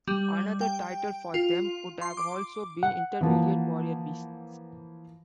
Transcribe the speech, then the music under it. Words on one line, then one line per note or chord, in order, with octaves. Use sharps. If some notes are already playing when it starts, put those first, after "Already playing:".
Another title for them could have also been Indeterminate Warrior Beasts.
G3
G5
F4
C6
D6
F#5
E3 F3 A#3